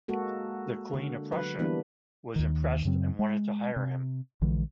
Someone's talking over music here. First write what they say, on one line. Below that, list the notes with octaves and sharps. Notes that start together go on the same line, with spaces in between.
The Queen of Prussia was impressed and wanted to hire him.
G#3 A#3 F#4 A4
D3
F#3 B4
E3 G3 A#3 B3 D4 E4
D#2 D#3
F#2 C#3 F#3 C4
G#3
C3
A#1 D3 E3 G#3